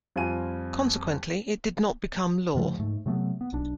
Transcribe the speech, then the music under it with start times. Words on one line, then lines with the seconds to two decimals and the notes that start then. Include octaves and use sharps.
Consequently, it did not become law.
0.16 F2 G3 F4 G#5 D#7
2.55 G2 C#3 F3 A3
2.79 G#2 A3
3.06 C3 F#3 A3 B3
3.41 B3
3.53 B1 D4